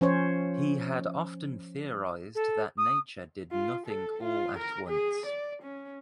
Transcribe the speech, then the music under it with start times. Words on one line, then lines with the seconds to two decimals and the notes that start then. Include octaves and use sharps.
He had often theorized that nature did nothing all at once.
0.01 F3 C#4 C5 C#5
2.35 A4
2.78 D#6
3.51 F4
3.86 A4
4.23 F4
4.59 A#4
4.88 G#4
5.26 D5
5.62 C#4